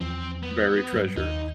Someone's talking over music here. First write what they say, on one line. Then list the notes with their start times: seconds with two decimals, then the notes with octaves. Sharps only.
buried treasure,
0.01 E2 E3 F3 C4
0.43 B3
0.93 G2 F#3 G3
1.17 D#2 D#4